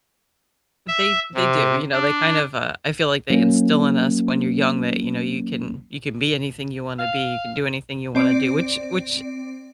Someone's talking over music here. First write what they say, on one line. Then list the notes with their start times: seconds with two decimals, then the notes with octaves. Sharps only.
They they do, you know, they kind of, uh I feel, like, they instill in us when you're young that, you know, you can you can be anything you wanna be, you can do anything you wanna do, which which
0.88 E5
1.35 C3
1.92 D4
3.30 F#3 A#3 C#4
6.99 F5
8.15 C4 D5 D7